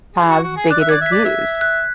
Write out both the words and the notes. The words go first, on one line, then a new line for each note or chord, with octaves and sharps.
have bigoted views,
G#4
F#4
F#4
G#4
D5 F#6
E5
D5 G#6
E5 B6
D5
E5
F#6